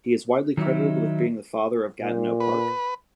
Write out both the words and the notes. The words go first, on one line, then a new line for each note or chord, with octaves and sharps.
He is widely credited with being the Father of Gatineau Park.
D#3 F#3 D#4 E4
A#2
B4